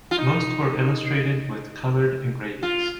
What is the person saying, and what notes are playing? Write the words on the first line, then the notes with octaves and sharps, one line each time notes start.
Most were illustrated with coloured engravings.
F4
D#4
F4